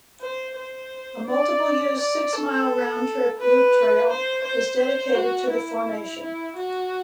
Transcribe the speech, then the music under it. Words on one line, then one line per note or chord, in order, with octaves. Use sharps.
A multiple-use, six-mile round trip loop trail is dedicated to the formation.
C5
C5
D5
D5
A4
B4
C5
C5
C5
F#4
E4
E4
F#4